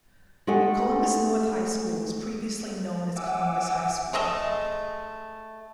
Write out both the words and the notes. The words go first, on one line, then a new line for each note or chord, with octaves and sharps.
Columbus North High School was previously known as Columbus High School.
G#3 A3 G4 A4 F#5 G#5
E5 F#5 G#5 D6 E6
G#3 A3 D#5 E5